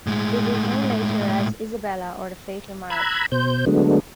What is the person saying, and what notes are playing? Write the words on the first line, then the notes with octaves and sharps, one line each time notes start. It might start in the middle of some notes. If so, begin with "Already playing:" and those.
It was known later as "Isabella, or The Fatal Marriage".
A2 G#3
A#5 B5 E6 F#6 G#6
B2 C5 G6
D3 F#3 G#3 A3 B3 D4